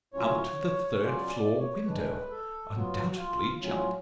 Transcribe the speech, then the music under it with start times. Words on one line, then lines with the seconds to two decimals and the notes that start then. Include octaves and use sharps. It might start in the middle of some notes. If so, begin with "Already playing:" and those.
Out of the third-floor window undoubtedly jumped.
0.14 A2 F#3 C#4 F4 C#5
1.01 F#3 C#4 F4 D5
1.30 D5
1.58 C#5
1.87 A2 G#3 D4 B4
2.30 A4
2.73 F#3 B3 F4
3.10 F#4
3.16 F4
3.61 A2 F#3 C#4 F4